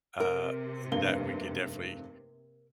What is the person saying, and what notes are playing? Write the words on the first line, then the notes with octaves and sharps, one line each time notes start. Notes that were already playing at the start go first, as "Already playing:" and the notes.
uh, that we could definitely
C3 A#4
F1 G2 A#3 G7